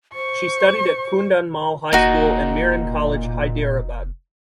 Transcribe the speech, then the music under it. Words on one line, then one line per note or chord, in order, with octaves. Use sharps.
She studied at Kundan Mal High School and Miran College Hyderabad.
C5 C#6
F1 A#2 D#4 F#4